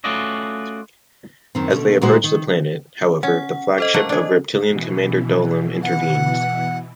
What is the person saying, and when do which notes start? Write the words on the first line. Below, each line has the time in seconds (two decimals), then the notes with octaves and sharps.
As they approach the planet, however, the flagship of Reptilian Commander Dolim intervenes.
0.04 A3 C#4 F4 F#4 D5 D#5
1.55 F#2 D#3 C4
1.70 B2 D3 A3
2.02 A#2 D#3 G#3 D#4 F#4 C5
2.24 D#3
3.23 C#4 F#5
3.78 A4 C5 D#5
3.94 A3 A#3 F#5
4.09 D4 G#4
4.67 B2 E3
5.83 F#5